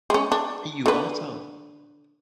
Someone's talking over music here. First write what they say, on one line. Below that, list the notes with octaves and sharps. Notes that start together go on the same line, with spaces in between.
You also.
G#3 C#4
D4
D3 B4